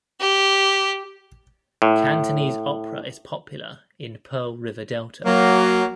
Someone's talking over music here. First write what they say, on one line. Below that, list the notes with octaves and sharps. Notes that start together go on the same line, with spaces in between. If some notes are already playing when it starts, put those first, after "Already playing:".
Cantonese opera is popular in Pearl River Delta.
G4
A2
F#3 A#3